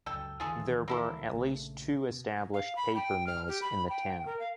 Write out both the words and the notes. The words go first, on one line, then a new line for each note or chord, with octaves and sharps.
There were at least two established paper-mills in the town.
C#2 F#2 A4 G5
D2 D#3 E3 F4 G#4 A4
A#3 E4 A4
A#1 C#3 A3
B2
F5
B5
G5
F6
G4
B5
G5
A#4
F5